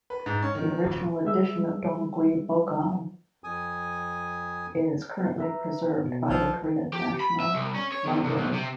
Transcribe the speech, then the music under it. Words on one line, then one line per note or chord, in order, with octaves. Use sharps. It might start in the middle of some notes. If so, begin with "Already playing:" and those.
The original edition of Dongui Bogam is currently preserved by the Korean National Library.
B4
G#2
C#4
D#3
D#1
G3 G#3 E5 E6
F2 G#5 D#6
B4 E5 A#5
B2
B1 F3 E6
G4
B5
E5
C2
C#4
C#5
E2
C2
B1
C3